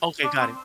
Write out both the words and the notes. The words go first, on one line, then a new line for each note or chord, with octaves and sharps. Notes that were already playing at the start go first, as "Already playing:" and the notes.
Okay, got it.
D4
C4